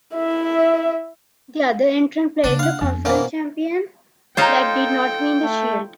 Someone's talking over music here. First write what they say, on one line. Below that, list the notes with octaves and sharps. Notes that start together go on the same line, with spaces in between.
The other entrant played the conference champion that did not win the Shield.
E4 E5
C#3 A#3 D4
D4 F5 F#5
F2 B3
B2 E3 A#3 C5 F5
D#4 F4 A4 C5 C#5 G5 A#5
A3